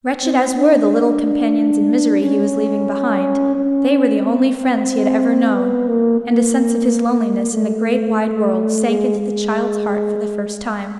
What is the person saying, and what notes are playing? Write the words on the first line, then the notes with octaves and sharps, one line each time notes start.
Wretched as were the little companions in misery he was leaving behind, they were the only friends he had ever known; and a sense of his loneliness in the great wide world, sank into the child's heart for the first time.
C4
D4
C#4
C#4
C4
B3
A#3
A#3
A3
G#3
G#3